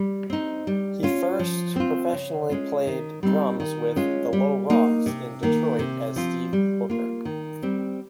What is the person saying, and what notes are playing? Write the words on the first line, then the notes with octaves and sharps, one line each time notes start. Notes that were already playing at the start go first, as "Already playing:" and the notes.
He first professionally played drums with "The Low Rocks" in Detroit as Steve Booker.
Already playing: G3
C4 D#4
G3
C#4 F4
F3
C4 F4
C#3
G#3 C#4 F4
D#3
G3 C4 D#4
D#3
G#3 C#4 F4
G3
A#3 D#4
C3
D#3 A#3
C3
F3 C4 F4
G3
A#3 F4
D#3
G3 C4